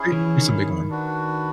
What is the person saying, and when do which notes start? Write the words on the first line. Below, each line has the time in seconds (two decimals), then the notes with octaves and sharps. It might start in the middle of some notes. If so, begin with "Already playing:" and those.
the is a big one.
Already playing: C#4 E4 G#4
0.12 E3
0.38 D#3
0.90 D4 F#4 B4